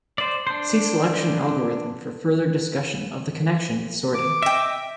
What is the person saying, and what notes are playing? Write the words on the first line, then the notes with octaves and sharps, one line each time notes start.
See selection algorithm for further discussion of the connection with sorting.
C5 D5
D4 C5
D6
D#5 E5 G5